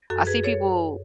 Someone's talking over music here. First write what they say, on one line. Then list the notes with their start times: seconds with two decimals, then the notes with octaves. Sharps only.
I see people
0.10 F#2 F#4 A4
0.27 G#4 B4
0.44 A4 C#5